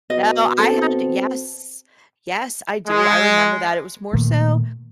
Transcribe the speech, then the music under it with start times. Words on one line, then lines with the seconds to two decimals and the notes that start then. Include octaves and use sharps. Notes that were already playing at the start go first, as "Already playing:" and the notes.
No, I had yes, yes, I do. I remember that it was more so
0.10 B2 D#5
0.59 C4 A4
2.87 G#3
4.13 A#2 D#3 A3